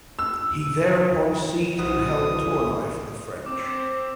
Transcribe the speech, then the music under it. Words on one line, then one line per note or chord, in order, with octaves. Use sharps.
He thereupon seized and held Tournai for the French.
E6
B1 E4 F#4 B4 C5 D#6
C4 D6